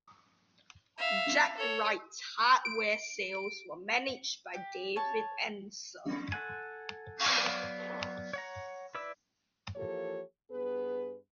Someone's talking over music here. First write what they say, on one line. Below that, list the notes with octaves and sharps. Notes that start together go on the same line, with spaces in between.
Jacq-Rite's hardware sales were managed by David Ensor.
E5 F5
A4 C#5
D7
G4
C#5 A5
A4 F#5 G#5
F#3 B3 D5 F5
C#5 F#5 A#5
E4 B4 D5 E6
E3 F3 A#3 G4 A4 C#5
G2 B3 G#4 B4